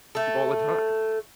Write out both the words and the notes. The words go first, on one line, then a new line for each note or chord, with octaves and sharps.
people all the time.
A3 A4